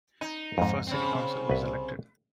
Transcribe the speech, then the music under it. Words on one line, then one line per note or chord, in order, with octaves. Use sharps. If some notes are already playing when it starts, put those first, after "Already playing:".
A first City Council was elected.
D#4 G#5
F2 G#2
C#3 C4
C2 B4